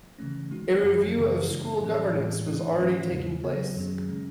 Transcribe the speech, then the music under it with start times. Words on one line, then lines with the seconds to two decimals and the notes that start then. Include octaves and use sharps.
A review of school governance was already taking place.
0.19 C#3 E3 A3 C#4
0.51 D#3 G#3 D#4 F#4
0.84 F#2 D#3 F#3
1.16 F#2 C#3 E3 G#3
1.48 C#3 G#3 D#4
1.81 A2 E3 A3 C#4 G#4
2.13 A2 E3 G#3 B3
2.46 G#2 E3 A3 E4
2.79 G#2 E3 A3 C#4
3.11 E2 C#3 G#3
3.44 C#3 F#3 B3
3.76 F#2 D#3 F#3 C#4 G#4
4.08 C#3 G#3 C#4